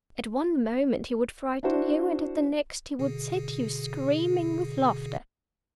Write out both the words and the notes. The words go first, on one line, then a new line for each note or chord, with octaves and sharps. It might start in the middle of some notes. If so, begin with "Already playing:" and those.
At one moment he would frighten you, and at the next he would set you screaming with laughter.
D4 E4 F#4 C5
B2 D3 G#4